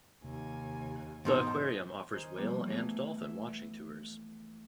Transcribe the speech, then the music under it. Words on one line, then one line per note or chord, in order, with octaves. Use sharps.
The aquarium offers whale and dolphin watching tours.
D#2 C3 G#5
G#2 B2 E3 D#4 C5
D#3 G#4 C5
F3 G3 A#3 B3
E3 A3 B3 G#4
E5